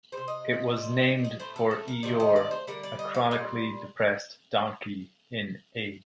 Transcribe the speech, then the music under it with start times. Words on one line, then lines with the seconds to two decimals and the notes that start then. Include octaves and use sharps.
It was named for Eeyore, a chronically depressed donkey in A.
0.12 G3 C5
0.17 C3
0.28 D#5
0.77 C3 D#3 G3
1.24 D#5
1.40 A2 A3 C5
1.56 A4
1.71 A4
1.88 A#4
2.03 C3 D#3 A3 D5
2.20 D#5
2.36 D5
2.51 C5
2.67 D3 G3 A#4
2.83 D5
2.99 D#5
3.14 F5
3.31 A#2 G3 D#5